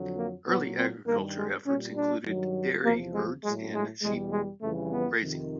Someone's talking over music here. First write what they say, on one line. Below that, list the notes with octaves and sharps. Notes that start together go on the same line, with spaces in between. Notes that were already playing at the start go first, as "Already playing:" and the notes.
Early agricultural efforts included dairy herds and sheep raising.
Already playing: F2 D3 F#3
A#3
A#2 F#3 B3
C4
G2 D#3 G3 A#3
G#3
A#2 G3 C#4
D4
G2 D#3 F#3
E2 C3 F3 A#3
G#3
A2 F#3 G#3
G#3
E2 B2 G3 G#3
G#3
F2 C#3 E3 G3 A3
B3
F2 C3 D#3